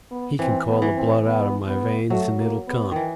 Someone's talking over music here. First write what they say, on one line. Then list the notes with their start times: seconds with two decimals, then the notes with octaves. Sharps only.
He can call the blood out of my veins and it'll come.
0.11 B3
0.39 E3 C4
0.67 B3
0.82 E3
0.96 C4
1.25 B3
1.67 B3
2.10 F#3 A3
2.39 A#3
2.67 B3
2.91 D#3 E3